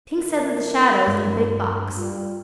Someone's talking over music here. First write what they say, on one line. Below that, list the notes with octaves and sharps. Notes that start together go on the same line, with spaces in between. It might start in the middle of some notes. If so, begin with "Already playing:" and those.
Tink said that the shadow was in the big box.
D3 E4 A#4
G2
G3 F4